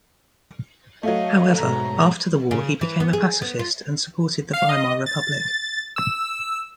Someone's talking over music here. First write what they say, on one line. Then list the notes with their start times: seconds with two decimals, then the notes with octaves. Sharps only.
However, after the war he became a pacifist and supported the Weimar Republic.
1.03 F#3 A3 D#5 F5
1.58 G#2 B2 A#5
2.51 C#3
2.81 E3
3.00 B3
3.13 G#4
3.42 B3
3.59 F4
4.53 F5
4.69 D#5
5.06 A6
5.96 E6